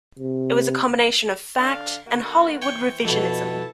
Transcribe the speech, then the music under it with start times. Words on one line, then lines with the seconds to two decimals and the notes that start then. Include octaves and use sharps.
It was a combination of fact and Hollywood revisionism.
0.19 C3
1.58 D3 D4 F5
2.06 D3 A#3 F#4
2.62 E3 C5 C#5 G5
3.05 F2 B2 E4 A4 A5